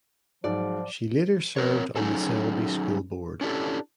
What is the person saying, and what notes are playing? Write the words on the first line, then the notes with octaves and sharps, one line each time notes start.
She later served on the Selby School Board.
G#2 F3 F#3 D5
C4 A#4 C#5
F#3 C#4 D#4 F#4 G#4 A4
C#4 D4 E4 G4 A4